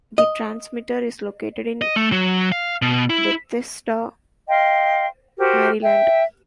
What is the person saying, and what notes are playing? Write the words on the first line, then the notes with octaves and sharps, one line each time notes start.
The transmitter is located in Bethesda, Maryland.
D#5
D#5
A3
F#3
F5
B2
E4
D#5 F5 G5 C6
F#4 G4 A#4 C5
E5 G5